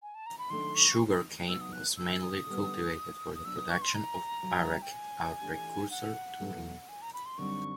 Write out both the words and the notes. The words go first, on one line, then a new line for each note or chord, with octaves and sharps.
Sugar cane was mainly cultivated for the production of "arrack", a precursor to rum.
G#5
A5
A#5
B5
D#3 F#3 A3 D4 C6
C#6
C#3 F#3 B3 D#4 F#4 E6
D#6
F#6
E6
D#6
D3 G3 B3
D#6
F#3 B3 D4 E6
D#6
C#6
C6
A#5
F2 C#3 F#3
G5
G#5
E3 A3 D4 G4
F#5
E2 B2 F#3 A3
G#5
A#5
B5
C6
F#2 D3 G3 C4 D#4 C#6